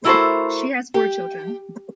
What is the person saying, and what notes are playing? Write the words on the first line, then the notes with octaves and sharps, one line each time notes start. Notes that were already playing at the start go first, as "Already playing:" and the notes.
She has four children.
A3 E4 F#4 A4 A#4 C5
G4